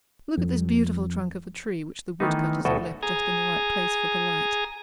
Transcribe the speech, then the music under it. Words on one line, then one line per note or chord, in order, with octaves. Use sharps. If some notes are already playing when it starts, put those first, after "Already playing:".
Look at this beautiful trunk of a tree, which the wood-cutters have left just in the right place for the light.
F2
D#3 E3 A3 B3 D#4
D2 B2 F#4 A4 G5 G#5
G#4 G#5 A#5